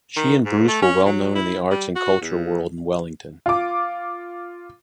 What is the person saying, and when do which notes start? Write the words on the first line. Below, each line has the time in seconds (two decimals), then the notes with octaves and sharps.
She and Bruce were well known in the arts and culture world in Wellington.
0.17 D#3
0.45 G#2
0.68 A3
0.82 C#4
1.05 F#3
1.35 E4
1.71 G3
1.96 F#4
2.22 E2
3.46 F4 D6